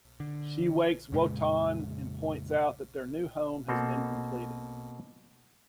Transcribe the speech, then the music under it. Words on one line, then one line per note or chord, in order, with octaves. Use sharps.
She wakes Wotan and points out that their new home has been completed.
D3
F2 A#2 C#3 G#3
B2 A#3 C4 A4